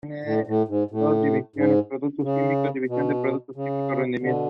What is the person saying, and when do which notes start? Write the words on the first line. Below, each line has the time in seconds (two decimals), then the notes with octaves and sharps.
The design of the Shapur Cameo combines both Roman and Sasanian styles.
0.24 A2
0.47 A2
0.68 G#2
0.91 A2
1.56 G#2
2.23 C#3
2.88 B2
3.56 C#3
4.21 B2 D3